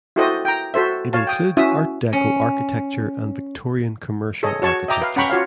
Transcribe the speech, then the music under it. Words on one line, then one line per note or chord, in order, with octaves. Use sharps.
It includes Art Deco architecture and Victorian commercial architecture.
E4 F#4 G4 A4 C5 D#5
G5 A#5
F#4 A4 C5 E5
C#5 F5 A5
G5 D#6
C#4 E4 F#4 E5 D#6
C#4
G#4 A4 C#5 D#5
F#4 C#5 A5 C#6
D#5 E5 G5 A#5 D6
B4 F5
C#4 F#5 G5 A#5 B5 C#6
F4 F#4 C#5 F5